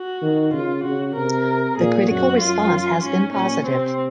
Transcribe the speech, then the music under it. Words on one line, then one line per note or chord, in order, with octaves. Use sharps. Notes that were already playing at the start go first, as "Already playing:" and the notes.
The critical response has been positive.
Already playing: F#4
D#3
C#3 F4
C#3 F#4
C3 A#4
A#2 G#4
F#2 F#4
F#2 F4
G#2 C#4
A#2 C#4
C3 C4